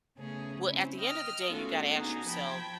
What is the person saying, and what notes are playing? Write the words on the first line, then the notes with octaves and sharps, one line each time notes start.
well, at the end of the day, you gotta ask yourself,
C#3 A3 B3 C#4 G#4
C4 C#4 E4
D#5 G5 F6
A3 B3 C#4 F4 F#4 A4
B3 D4 D#4 F#4 G#4
F3 G5 A5 B5 G#6